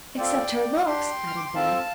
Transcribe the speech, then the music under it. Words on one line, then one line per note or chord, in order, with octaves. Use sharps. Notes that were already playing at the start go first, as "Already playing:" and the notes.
"Except her looks," added Beth.
C4 F4 A4 D5 G5
D4 G4 G5 C6
F6
D6
C6
C4 F4 A4 F5 A5